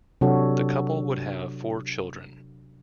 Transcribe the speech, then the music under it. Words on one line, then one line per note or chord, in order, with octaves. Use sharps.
The couple would have four children.
C3 F#3 D4 F#4 A4 C#5